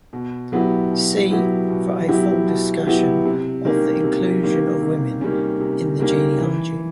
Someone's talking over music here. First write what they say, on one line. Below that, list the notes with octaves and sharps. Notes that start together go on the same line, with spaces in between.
See for a full discussion of the inclusion of women in the genealogy.
B2
F#3 B3 E4 G4
B2
F#3 B3 E4 G4
B2
F#3 B3 E4 G4
B2
F#3 B3 E4 G4
C3
D#3 G3 A#3 C#4
C3
D#3 G3 A#3 C#4
C3
D#3 G3 A#3 C#4
C3
D#3 G3 A#3 C#4
E3